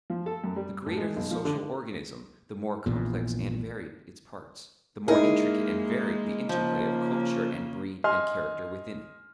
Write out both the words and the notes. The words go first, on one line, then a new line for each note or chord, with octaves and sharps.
The greater the social organism the more complex and varied its parts, the more intricate and varied the interplay of culture and breed and character within it.
F3
A4
F#2
G3
A2
G#3
B1
F3
D3
A#1 E2 A#2
G#3 A#3 D#4 E4 G#4 A#4
C#3 F3 A#3
D#5 G#5 C6 F6